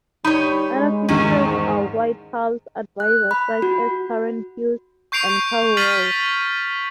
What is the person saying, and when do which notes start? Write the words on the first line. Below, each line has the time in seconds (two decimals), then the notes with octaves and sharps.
Other fixtures are White House advisers such as Karen Hughes and Karl Rove.
0.25 G3 D#4 C#5 B5
0.75 G#3
1.09 E2 D#3 C#4
1.47 G#2
3.00 F#6
3.31 B5
3.62 F#4
5.12 C#6 G6 C7 D7 F7
5.77 F6 A6 B6 C7 D#7 F#7